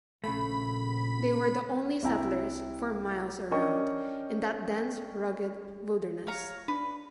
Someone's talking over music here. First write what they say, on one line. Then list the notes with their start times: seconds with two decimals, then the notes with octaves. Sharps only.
They were the only settlers, for miles around, in that dense, rugged wilderness.
0.24 A#1 C#3 A3 B5
2.03 C2 C3 E4 G5 A#5
3.51 C#4 D4 A#4 D#5 G5 C#6
6.27 C#5 F5 A#5
6.68 D4 B4